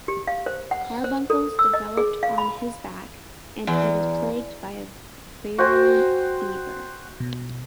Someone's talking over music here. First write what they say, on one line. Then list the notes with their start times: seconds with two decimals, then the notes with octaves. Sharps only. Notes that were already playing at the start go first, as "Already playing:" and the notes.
Carbuncles developed on his back and he was plagued by a virulent fever.
0.08 G4
0.27 F5
0.46 C5
0.71 F#5
1.04 C5
1.30 A4
1.59 E6
1.73 D#5
1.97 G#4
2.23 F5
2.38 B5
3.67 E2
5.58 F#4 C5 G5 G#5
7.20 B2